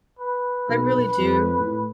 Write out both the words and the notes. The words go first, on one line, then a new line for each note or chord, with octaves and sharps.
I really do.
B4
B1
F2
A2